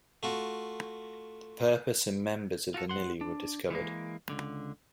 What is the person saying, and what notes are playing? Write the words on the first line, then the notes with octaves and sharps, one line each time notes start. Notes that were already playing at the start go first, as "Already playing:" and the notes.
The purpose and members of the Nili were discovered.
A3 F4 F#4
F4 F#4 A4
F2 F#5 C6
D4
E3 G#3 A#3
C#2 D3